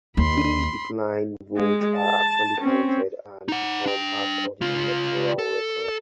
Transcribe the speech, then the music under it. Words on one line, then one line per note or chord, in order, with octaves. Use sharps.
These declined votes are actually counted and become part of the electoral record.
D#2 B5 C6
G#3
A5
C4 C#4
D#4 F#5
D4 G5
C#3 F4
A4